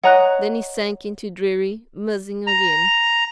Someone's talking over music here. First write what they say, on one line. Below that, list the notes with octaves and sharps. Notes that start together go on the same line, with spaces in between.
Then he sank into dreary musing again.
C#5 D#5 F#5 A#5 F#6
A#5